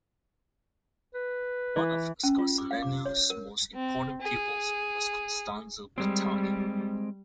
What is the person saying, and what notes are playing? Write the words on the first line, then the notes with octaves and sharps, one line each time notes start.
One of Scarsellino's most important pupils was Costanzo Cattani.
B4
E3
C#4
F4
D6
F5
D6
C#5
A#4
C4
G#4
G3 G#3 C4